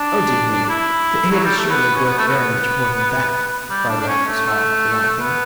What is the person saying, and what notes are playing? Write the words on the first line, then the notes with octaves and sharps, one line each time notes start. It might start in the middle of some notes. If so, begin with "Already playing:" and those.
"Oh dear me, it is surely worth very much more than that," cried Raffles Haw, laughing.
Already playing: D4
D4
E4
F#3
G3
A3
B3
C#4
B3
A3
B3
G3
D4
D4
C#4
A3
A3
B3